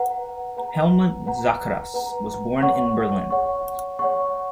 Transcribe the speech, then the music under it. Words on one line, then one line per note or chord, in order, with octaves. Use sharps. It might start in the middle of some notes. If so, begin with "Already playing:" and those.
Helmut Zacharias was born in Berlin.
Already playing: B4 F#5 A#5
B4 F#5 A#5
B4 F#5 A#5
B4 F#5 A#5
C#5 F#5 C#6
C#5 F#5 C#6
C#5 F#5 C#6